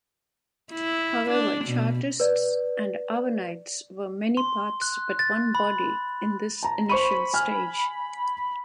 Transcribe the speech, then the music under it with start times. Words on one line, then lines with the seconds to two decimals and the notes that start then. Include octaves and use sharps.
However, Chartists and Owenites were "many parts but one body" in this initial stage.
0.73 E4
1.30 D4
1.65 B2
2.20 B4 D5
4.37 C6
4.82 F#6
5.19 A6
5.55 B5
6.63 A5 A#5
6.89 C5 B5 C#6 D#7
7.34 G#5 F6